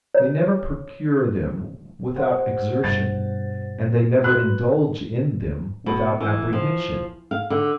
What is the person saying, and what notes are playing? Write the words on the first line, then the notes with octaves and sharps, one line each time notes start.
They never procure them without exertion, and they never indulge in them without apprehension.
C#5
G4 C5 F#5
G2 B2 A6
F#4 B4 F#6
B2
E3
F3
F5
D3